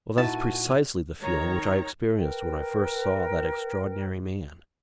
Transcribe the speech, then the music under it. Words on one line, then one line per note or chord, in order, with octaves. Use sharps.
"Well, that is precisely the feeling which I experienced when I first saw that extraordinary man."
A#2 D#4 E4 F#4 G#5 A5
D#3 C#5 A#5
A#4 B4 G5